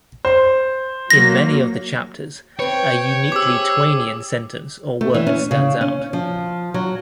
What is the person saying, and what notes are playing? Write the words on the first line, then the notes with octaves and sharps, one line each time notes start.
In many of the chapters, a uniquely "Twainian" sentence or word stands out.
C5
F#3 A#3 A#6
C4 B4 C#5 G5
C4 G4 G#4 D6 E6
A3
E3
C#4
C#3
C#4
F3
F#3